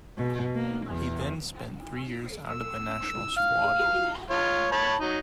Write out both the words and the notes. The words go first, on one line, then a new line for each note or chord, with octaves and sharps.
He then spent three years out of the national squad.
B2
A#3
E2
E6
F5
F4 C#5
C#5 A5 B5
F#3 D#4